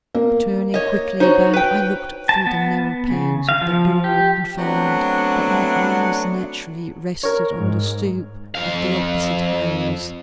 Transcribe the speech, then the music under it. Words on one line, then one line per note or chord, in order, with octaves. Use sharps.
Turning quickly about, I looked through the narrow panes of the door, and found that my eyes naturally rested on the stoop of the opposite house.
A#3
C#5 D#5
D#4 F#4 C5 C#5
B4 G5
A5
B3
C#3
F5
F3
G4
F#3 A3 B3 C4 D4
A#4 C#5
G#2
F2 F5